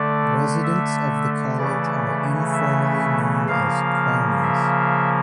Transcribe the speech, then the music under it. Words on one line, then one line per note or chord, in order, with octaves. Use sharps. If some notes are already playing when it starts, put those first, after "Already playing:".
Residents of the college are informally known as Crownies.
Already playing: D3 A3 D5
E5
C#3 E3 A3 D5
E5
C#3 F3 A#3 F5
E5